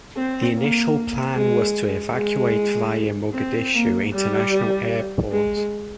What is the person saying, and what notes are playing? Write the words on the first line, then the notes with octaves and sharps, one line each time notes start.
The initial plan was to evacuate via Mogadishu International Airport.
C4
A#3
G#3
G#3
C4
A#3
G3
G#3